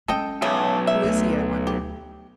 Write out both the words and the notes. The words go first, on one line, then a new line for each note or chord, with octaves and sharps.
"Who is he, I wonder?"
G#3 C#4 A4 D#5 G5
B1 C#3 A3
E5
D2
G4